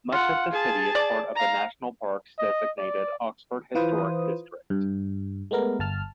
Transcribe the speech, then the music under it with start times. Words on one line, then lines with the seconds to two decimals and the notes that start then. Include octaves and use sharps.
Much of the city is part of the National Parks-designated Oxford Historic District.
0.12 F4 F#5
0.51 G#4 A5
0.95 D5
1.36 F5 A#5
2.39 D#5
2.78 D5
3.75 E3 F4 B4 C5 D#6
4.70 G2
5.51 G#3 A3 B3 A#4
5.79 G1 A5 F6